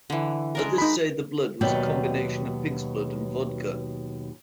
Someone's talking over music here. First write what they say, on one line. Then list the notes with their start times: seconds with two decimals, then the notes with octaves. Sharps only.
Others say the blood was a combination of pig's blood and vodka.
0.10 D3 E3
0.55 G#3 D4 A#4
0.78 D#4 B5
1.61 D#2 B2 F#3 B3 D5 G5